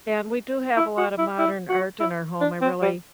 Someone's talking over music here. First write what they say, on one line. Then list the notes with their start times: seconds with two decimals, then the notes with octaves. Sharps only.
And we do have a lotta modern art in our home. I really
0.77 E4
0.98 F#4
1.18 E4
1.38 E4
1.69 F#4
2.00 E4
2.41 D4
2.61 C4
2.82 G3